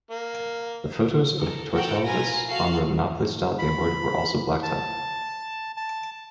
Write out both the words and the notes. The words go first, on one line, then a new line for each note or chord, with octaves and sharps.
The photos of Tortelvis on the Monopoly-style gameboard were also blacked out.
A#3
A4 A#4
F#4 A4 A#4 F#5 G5
F4 A#4 B4 G#5 A#6
F#4 A4 F5 C7
B5
A5
A5